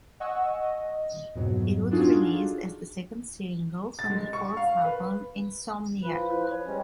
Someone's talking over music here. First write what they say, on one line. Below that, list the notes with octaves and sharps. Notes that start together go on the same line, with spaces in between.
It was released as the second single from their fourth album, "Insomniac".
D#5 F#5 G#5 C#6 E6
D#5
F2 G#2 B2 F#3
D4 D#4 F4 F#4 G#4 A4
A6
G#3
C#6
F5
B4
F3 F4 B4
E4
C5
C#5
G3 G#3 C#4